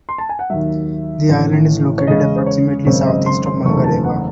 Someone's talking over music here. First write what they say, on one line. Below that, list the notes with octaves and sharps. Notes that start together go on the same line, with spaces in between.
The island is located approximately southeast of Mangareva.
C6
A5
G#5
F#5
D#2 D#3 F#3 E5
A1 A2 E3
C#5
E2 C#3 G#3 C#4 D#5
C5
C#5
G#1 F#2 C#3 G#3 C4 C#5
E5
D#5
C6
C6
F#1 E2 D#3 A3 C4 C#6
A5
F#5